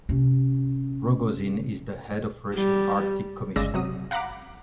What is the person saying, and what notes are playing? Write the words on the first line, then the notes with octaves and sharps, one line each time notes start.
Rogozin is the head of Russia's Arctic Commission.
C3 C#4
G3
G1 C#3 G#3 D5 E6 A#6
C3 F#3 D#6
F5 F#5 A#5 B5 D6